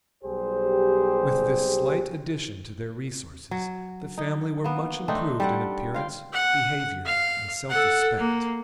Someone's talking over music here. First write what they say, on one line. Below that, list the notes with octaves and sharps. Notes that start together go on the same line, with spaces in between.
With this slight addition to their resources the family were much improved in appearance, behavior, and self-respect.
B1 G3 G4 G#4 C5
F#3
D#4
A#3 B3
A3 C4 D4 D#4
G3 A4 F#5
F4 F5 G5
F#5
F5
A4 F#5
A#3